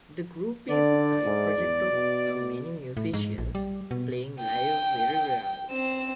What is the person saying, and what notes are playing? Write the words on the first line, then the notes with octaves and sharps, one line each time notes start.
The group is a side project of many musicians, playing live very rarely.
D3 D5
G#2
E2
B2
A2
G#2
A#1
G3
B2
G5
C4 E7